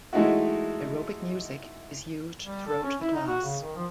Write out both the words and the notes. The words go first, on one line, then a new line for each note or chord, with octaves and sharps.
Aerobic music is used throughout the class.
E3 G#3 A3 D#4 E4 F#4
G3
A4
C#4
E4
D#4
F#4
C#3
D#3
F3